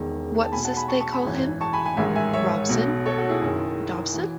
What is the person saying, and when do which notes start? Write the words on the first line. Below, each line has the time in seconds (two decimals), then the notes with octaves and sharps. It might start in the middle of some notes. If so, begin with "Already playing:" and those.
What's this they call him? — Robson? — Dobson?
Already playing: E1 E2 D#3
0.45 A5
0.52 B1 G#5 B5
0.57 B2
0.65 F#5 A5
0.77 G#5 B5
0.88 A5 C#6
1.00 A5 C#6
1.13 G#5 B5
1.25 G#1 F#2 E3
1.61 A5 C#6
1.73 G#5 B5
1.85 G#5 B5
1.97 A1 G#2 D#3 E5 G#5
2.15 E5 G#5
2.33 C#5 E5
2.69 B1 B2
3.06 A4 C#5
3.18 F#4 A4
3.29 E4 G#4
3.41 F#1 F#2 D#3
4.14 E3 F#4